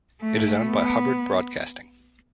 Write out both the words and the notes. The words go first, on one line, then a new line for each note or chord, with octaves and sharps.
It is owned by Hubbard Broadcasting.
A3
B3